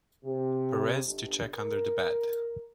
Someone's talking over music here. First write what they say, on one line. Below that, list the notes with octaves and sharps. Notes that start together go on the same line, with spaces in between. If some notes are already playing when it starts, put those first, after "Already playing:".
Perez to check under the bed.
C3
G1
A#4